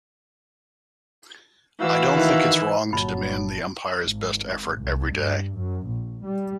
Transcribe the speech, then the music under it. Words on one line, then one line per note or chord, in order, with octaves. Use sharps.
I don't think it's wrong to demand the umpires' best effort every day.
E3 F#4 F5 E6
D#3 E4
G1 A#2 F#3 A5 B5
G#1
C2
G2
F#2
A#1
G3